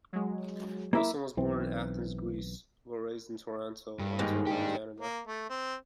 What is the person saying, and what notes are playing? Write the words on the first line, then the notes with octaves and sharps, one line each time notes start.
Wilson was born in Athens, Greece, but raised in Toronto, Ontario, Canada.
F#3 G#3
A#3 E4 E5
B1 E3 C4
G2
D#2 G#2 D#3
D4 G4
A#3
A3
C4